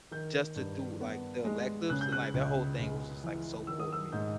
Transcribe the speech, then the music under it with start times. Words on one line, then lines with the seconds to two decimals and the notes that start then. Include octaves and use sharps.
just to do, like, the electives. And, like, that whole thing was just, like, so cool to me.
0.11 D#3 G6
0.56 G2
1.01 B3
1.45 G#3
1.90 C#3 F#6
2.01 G6
2.12 F#6
2.34 C#2
2.79 C#2
3.24 E3
3.67 D#3 E6
3.80 D#6
3.93 E6
4.12 G#2 G6